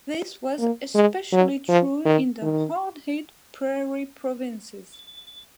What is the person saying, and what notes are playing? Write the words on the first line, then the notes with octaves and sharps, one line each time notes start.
This was especially true in the hard-hit Prairie Provinces.
A#3
G#3
F#3
F3
D#3
D#3